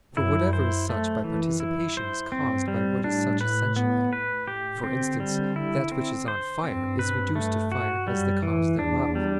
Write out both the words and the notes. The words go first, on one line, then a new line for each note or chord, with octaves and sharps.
For whatever is such by participation is caused by what is such essentially; for instance, that which is on fire is reduced to fire as the cause thereof.
F#2 E4
C5
F#2 A3
E3
E4
C5
G2 C4
G3
A2 D4
B4
B3
B4
A2 G4
D3 C4
G3
E4
C4
C5
G2 C4
B4
A3
F#4
F#2 G3
E3
E2 D4
G3